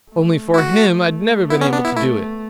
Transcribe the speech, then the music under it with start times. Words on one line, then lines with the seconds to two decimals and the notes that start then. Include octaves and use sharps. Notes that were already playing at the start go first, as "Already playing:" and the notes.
Only for him, I'd never been able to do it.
0.12 A3
0.54 E4
0.58 F#4
1.50 B3 E4
1.61 C#4
1.73 D4
1.85 E4
1.96 A3 E4